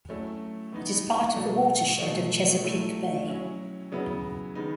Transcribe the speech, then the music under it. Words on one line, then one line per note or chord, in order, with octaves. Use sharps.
It is part of the watershed of Chesapeake Bay.
F#3 A3 C#4 E4
E3 B3 D#4
B2 F#3 A3
B2 F#3 A3
F#3 A3 E4
F#3 C#4 E4
C#3 F#3 B3 E4
D#3 G#3 B3 D#4